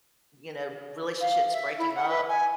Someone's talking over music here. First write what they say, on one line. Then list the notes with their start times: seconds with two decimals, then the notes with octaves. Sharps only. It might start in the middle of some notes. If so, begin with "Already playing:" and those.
you know, relationships breaking up
1.21 F5
1.53 E5
1.78 E4
1.95 F#5
2.09 B4
2.28 G#5